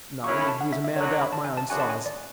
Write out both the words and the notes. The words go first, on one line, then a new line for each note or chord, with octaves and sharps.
"No, he is a man about my own size."
F#2 C#3 F#3 C#4 E4 C#6
B5
A5
F#5
E5
E5
F#2 D3 F#3 C#5
B5
A5
G#5
A5
F#2 C#3 G#3 D4 F#4 G#5
A5
G#5
D5